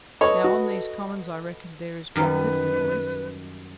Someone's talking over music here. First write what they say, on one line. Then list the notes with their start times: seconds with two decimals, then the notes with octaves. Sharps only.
Now on these commons I reckon there is but little noise?'
0.21 A4 B4 C#5 D#5 C#6
0.44 F#4
2.16 F#2 D#3 G3 B4